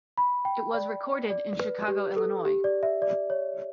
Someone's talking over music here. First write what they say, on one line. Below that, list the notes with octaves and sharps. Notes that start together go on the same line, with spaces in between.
It was recorded in Chicago, Illinois.
B5
G5
D5
D5
B4
G4
A4
G4
D5
E5
D5
C#5